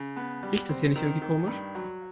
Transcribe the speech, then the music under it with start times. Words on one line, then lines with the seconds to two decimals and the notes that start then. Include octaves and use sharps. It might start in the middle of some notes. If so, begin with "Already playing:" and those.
Riecht es hier nicht irgendwie komisch?
Already playing: C#3
0.17 B3
0.43 G3
0.69 C4
0.96 D#3
1.22 D#3
1.48 G2
1.75 F#3